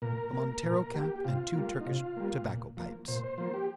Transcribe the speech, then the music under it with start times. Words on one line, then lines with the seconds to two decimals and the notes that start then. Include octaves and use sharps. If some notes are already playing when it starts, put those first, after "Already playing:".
A Montero-cap and two Turkish tobacco-pipes.
0.02 A#2 A#4
0.33 A#3
0.63 A#2 A#4
0.94 A#3 G4
1.16 G4
1.25 C3 F4
1.55 G3 A#3
1.81 D#4
1.85 C3 F4
2.17 G3 A#3
2.47 A#2
2.77 F3 A#3
3.08 A#2 C5
3.24 C5
3.38 F3 A#3 C5
3.54 G4